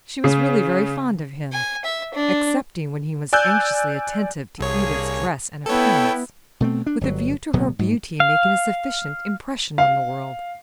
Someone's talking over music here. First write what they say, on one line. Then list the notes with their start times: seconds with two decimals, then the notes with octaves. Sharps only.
She was really very fond of him, excepting when he was anxiously attentive to Edith's dress and appearance, with a view to her beauty making a sufficient impression on the world.
0.24 C#3
1.52 G#5
1.85 E5
2.14 D4
3.33 D5 G#5 E6 F#6 G6
4.60 C2 A#3 D4 G#4 C#5
5.66 B3 E4 A4 C#5 G5
6.60 B2 A3 C4
6.86 D4
7.01 G1 F#3
7.53 D1 B2 F#3 B3
7.79 G#2
8.20 F5
9.78 F5